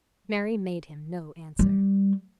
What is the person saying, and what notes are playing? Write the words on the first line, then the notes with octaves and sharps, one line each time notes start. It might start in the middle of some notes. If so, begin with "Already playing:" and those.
Mary made him no answer.
G3